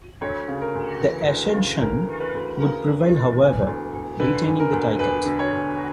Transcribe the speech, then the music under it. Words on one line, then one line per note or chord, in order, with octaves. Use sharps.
The Ascension would prevail however, retaining the titles.
D2 C#5
C#3
A#4
D2
E3
D2
C#3
D2 A#4
E3
B4
D2
C#3 A#4
D2
E3
E1
D2
E1
D3 B4
E1
A#4
D2
E1 B4
D3
C#5
E1